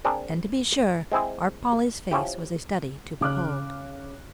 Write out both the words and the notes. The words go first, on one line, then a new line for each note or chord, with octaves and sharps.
And to be sure, our Polly's face was a study to behold.
C4 D4 G#4 A#4
G#3 C4 E4 G#4
F3 C#4 E4 G4
C#3 D6 F6 F#6